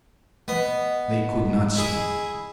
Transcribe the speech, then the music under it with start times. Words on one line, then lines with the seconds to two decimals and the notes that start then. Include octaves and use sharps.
They could not speak.
0.48 B3 D#5
1.75 E4 G#4